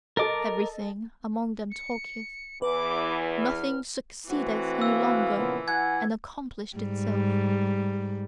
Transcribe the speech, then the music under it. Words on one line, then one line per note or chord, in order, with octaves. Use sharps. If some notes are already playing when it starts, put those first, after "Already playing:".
Everything among them talketh, nothing succeedeth any longer and accomplisheth itself.
A4 A#4 D#5 D6 A6
C#7
E2 E3 B4 D6
F6
E3 A3 C4 F#4
F5 E6
A#2 C#3 F3 B3
E4 F#5 G#5 G#6
G#2 G3